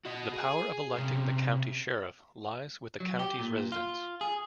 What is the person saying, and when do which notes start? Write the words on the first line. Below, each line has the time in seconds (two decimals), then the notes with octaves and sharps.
The power of electing the county's sheriff lies with the county's residents.
0.05 F#4 D#5
0.33 G#4
0.96 C3 C#4
3.00 F#3
3.19 G4
3.39 A#2
3.72 F4
4.21 G#4